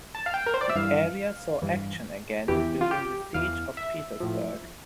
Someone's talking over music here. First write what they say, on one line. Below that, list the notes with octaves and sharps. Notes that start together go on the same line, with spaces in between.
The area saw action again during the Siege of Petersburg.
A5
F5
G5
A#4
C5
D5
E5
G2 E3 F5
G2 E3
E2 E3 G4
F4
G4
E2 E3 F5
E5
A2 F3